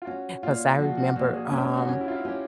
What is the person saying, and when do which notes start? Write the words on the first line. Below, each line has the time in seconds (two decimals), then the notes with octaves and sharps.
'Cause I remember, um,
0.02 F4
0.06 C#4 F#4
0.43 A#2 F4
0.79 F3 F#4
0.97 F#4
1.16 A#2 F#4
1.34 G#4
1.51 C#4 G4
1.76 F#4
1.88 C#4
2.00 E4
2.08 F4
2.15 E4
2.25 C#4 G4